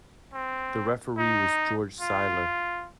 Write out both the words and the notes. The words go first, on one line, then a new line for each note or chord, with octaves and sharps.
The referee was George Siler.
C4
D#4
F4